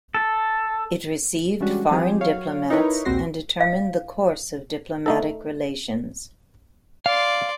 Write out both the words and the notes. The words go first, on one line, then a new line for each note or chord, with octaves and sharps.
It received foreign diplomats and determined the course of diplomatic relations.
A4
E3 G3 G#3 C#4 D4 F#4
F3 G3 C4 G4 G#4
F#3 C#5 F5
D#4 E4 A#4 B4 C#5
A#1 D#2 C4 F#4 A#6 C7
F5
A3 D#4 A4
D5 F5 C6